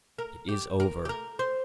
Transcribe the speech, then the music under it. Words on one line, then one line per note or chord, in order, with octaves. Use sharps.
It is over.
A#4
G4
A#4
G4
A#4
C5